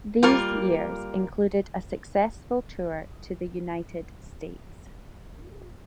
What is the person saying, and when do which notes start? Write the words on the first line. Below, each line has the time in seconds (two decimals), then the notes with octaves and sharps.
These years included a successful tour to the United States.
0.23 G3 A#3 F4 A#4